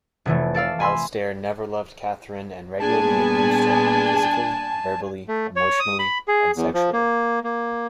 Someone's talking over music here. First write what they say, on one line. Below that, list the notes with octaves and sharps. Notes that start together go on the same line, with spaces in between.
Alistair never loved Katherine and regularly abused her-physically, verbally, emotionally, and sexually.
F1 E3 A3
A4 D5 F5 E6
G#5 B5 C6 E6
A#2 G3 B3 D4 G#4 G#5 A5
A3
C#5
D#6
B5
G#4
E2
F3
A#3
A#3